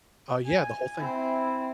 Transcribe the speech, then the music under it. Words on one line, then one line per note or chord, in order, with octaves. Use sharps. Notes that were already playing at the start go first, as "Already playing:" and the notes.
Uh, yeah, the whole thing
G#5
C4 E4